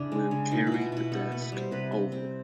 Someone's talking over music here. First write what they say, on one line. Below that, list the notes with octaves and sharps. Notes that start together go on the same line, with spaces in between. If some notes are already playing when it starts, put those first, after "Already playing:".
We'll carry the desk over.
Already playing: C#3 D4 E4
G#3
C#3
B2 D#4
E4
B2 F#4
F4
B2 E4
B3 A4
B3
B4
G3 C5
C3 B4
C4
C4